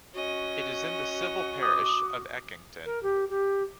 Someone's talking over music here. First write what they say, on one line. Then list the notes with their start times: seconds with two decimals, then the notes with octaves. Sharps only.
It is in the civil parish of Eckington.
0.14 C#4 F#4 D#5
1.63 D6 D#6
2.86 A#4
3.03 G4
3.30 G4